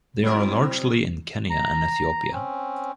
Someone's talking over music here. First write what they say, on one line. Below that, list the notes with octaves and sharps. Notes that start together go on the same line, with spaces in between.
They are largely in Kenya and Ethiopia.
B2 F#3 C4 E4 A#4
A#5
C4 C#4